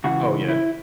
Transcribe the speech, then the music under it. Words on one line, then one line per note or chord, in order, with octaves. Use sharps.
Oh, yeah.
C#2 C#3 E3 F#4
E4